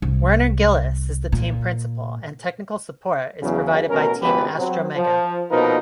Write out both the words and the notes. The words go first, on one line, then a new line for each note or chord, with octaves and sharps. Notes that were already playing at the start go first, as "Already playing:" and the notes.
Werner Gillis is the team principal, and technical support is provided by Team Astromega.
C2
A#2
E2 C#3 F#3
A1 B2 C#4 A#4
G#1 C#2 B3 G4 B4
F#3 C4
F3
A#1 B2 F3 D#4 A#4 B4